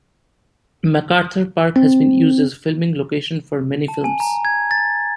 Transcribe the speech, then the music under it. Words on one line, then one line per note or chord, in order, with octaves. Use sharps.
MacArthur Park has been used as a filming location for many films.
C4
A5
G#5
A#5
G#6
A6